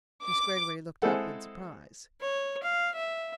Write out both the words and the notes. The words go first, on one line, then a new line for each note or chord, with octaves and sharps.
Miss Greggory looked up in surprise.
D6
G#3 C4 E4 G#4 A4 F#5
C#5
F5
E5